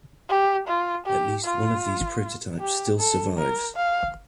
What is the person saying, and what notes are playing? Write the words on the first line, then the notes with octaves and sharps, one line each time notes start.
At least one of these prototypes still survives.
G4
F4
G4
F4
G4
A4
A#4
F5